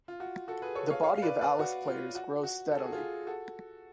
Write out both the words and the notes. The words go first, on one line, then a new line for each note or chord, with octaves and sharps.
The body of Alice players grows steadily.
F4
F#4
F#4 A4
G#4 B4
A4 C#5
C#5 F5
C#5 F5
F5
B4 D5
B4 D5
F#4
F4
F#4
F#4
A4
G#4
F#4
F4 G#4
F#4 A4